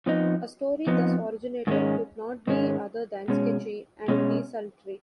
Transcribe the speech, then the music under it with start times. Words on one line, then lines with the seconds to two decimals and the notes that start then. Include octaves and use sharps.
A story thus originated could not be other than sketchy and desultory.
0.06 F2 F3 B3 D#4
0.87 F2 F3 B3 D#4
1.67 G#2 D#3 G#3 C#4
2.47 G#2 D#3 G#3 C#4
3.28 B2 G#3 C#4
4.08 B2 G#3 C#4